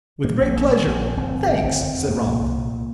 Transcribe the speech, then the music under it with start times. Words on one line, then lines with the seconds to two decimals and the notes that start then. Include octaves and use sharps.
"With great pleasure--thanks," said Ronald.
0.24 A#2 A#3
0.40 A#1
0.56 A#1
0.71 A#1
0.87 A#1
1.02 A#1
1.17 G1 C4
1.33 G1
1.47 G1
1.63 G1
1.79 F2
1.94 F2
2.09 A#2 A#3
2.25 C2
2.41 C2
2.56 A#2